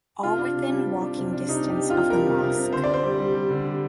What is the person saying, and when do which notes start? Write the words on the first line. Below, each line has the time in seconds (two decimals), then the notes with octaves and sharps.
All within walking distance of the mosque.
0.23 C3 F4
0.39 D4
0.55 C3
0.70 G3
0.86 C3
1.02 D4
1.17 C3
1.33 D4
1.48 C3 D#4
1.64 C3
1.69 G4
1.80 C3
1.90 F4
1.95 C3
2.10 G3 A#4
2.26 C3
2.41 C3
2.57 C3
2.73 D3 C5
2.84 C4 D5
2.94 C5
3.03 G3
3.19 G3
3.35 G3
3.51 D3
3.66 G3